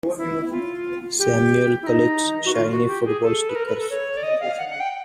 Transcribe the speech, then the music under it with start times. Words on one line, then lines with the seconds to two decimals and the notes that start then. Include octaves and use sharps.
Samuel collects shiny football stickers.
0.18 E4
0.51 F4
1.19 G4
1.82 E4
1.87 D#4
2.45 F#4
2.54 F4
2.71 F#4
2.87 G4
3.05 G#4
3.22 A4
3.49 B4
3.55 A#4
3.67 B4
3.78 A4
3.90 C#5
4.17 D5
4.23 D#5
4.40 F5
4.58 F#5
4.69 F#5
4.80 G5